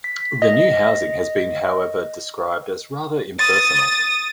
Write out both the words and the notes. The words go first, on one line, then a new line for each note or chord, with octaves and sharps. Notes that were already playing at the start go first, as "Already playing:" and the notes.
The new housing has been however described as rather "impersonal".
B6
D#5
D#6 A6